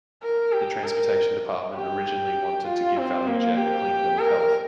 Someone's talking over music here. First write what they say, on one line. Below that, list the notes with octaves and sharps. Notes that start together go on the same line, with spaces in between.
The Transportation Department originally wanted to give ValuJet a clean bill of health.
A#4
G4
A#4
G4
F4
C4
A#3
G4
A#4